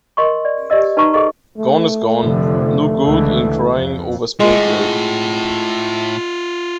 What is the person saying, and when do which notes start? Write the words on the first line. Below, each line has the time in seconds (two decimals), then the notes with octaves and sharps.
Gone is gone. No good in crying over spilt milk.
0.17 A#4 D#5 C6 C#6
0.45 D5
0.70 G4 D5 D#5 E6
0.97 D#4 B4 A5 A#5 C#6
1.13 G#4 A4 D#5 C#6
1.58 A3
2.22 F1 D3 F3
3.05 C#2 D3 E3
3.74 F2
4.40 A2 G#3 F4 F#5